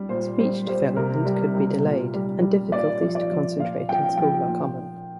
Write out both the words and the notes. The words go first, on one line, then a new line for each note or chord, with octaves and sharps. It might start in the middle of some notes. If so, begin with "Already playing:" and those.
Speech development could be delayed and difficulties to concentrate in school are common.
Already playing: G3
A#2 C5
G3 C5
G3 C5
C3 A#4
G3
G3
A#2
G3
G3
A#2 D5
F3
D5
F3
A#2 F5
F3 G5
F3 G5
A#2